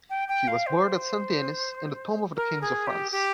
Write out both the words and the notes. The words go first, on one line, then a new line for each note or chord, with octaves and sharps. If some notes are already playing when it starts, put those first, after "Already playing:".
He was buried at Saint-Denis in the tomb of the Kings of France.
G5
G5
F5
C5
A#4
G#4
G4
G4